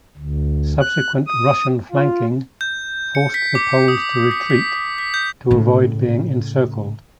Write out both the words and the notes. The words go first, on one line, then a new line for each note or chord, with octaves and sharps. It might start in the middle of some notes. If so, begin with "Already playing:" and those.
Subsequent Russian flanking forced the Poles to retreat to avoid being encircled.
D2
F#6
D#6
F4
G6
C#7
B6
D6
D#6
B6
B6
B6
G6
A2 C#3